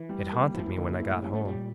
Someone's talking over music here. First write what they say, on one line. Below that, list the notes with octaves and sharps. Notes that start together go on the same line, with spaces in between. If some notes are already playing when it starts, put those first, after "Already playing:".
It haunted me when I got home.
Already playing: E3
G3
A#3
F3 E4
E3
D3 A#3
C#3
G2 E4
A2
G3 C#4
A3
A#2 G3